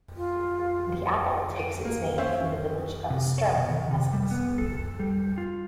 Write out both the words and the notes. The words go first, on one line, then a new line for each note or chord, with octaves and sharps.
The apple takes its name from the village of Sturmer, Essex.
F4
D7 D#7
A#3
C#4 C5 E5 F5
C3
C#5
B2
D#3
C3
G3
B3
A4
G3
F4